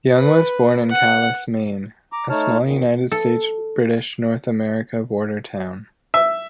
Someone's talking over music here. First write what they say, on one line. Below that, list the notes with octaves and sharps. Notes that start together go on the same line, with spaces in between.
Young was born in Calais, Maine, a small United States-British North America border town.
B4
F#5
A#5 D6
A3 D#4 C#5 A5 F6
E2 A#2 D#3
A4
E5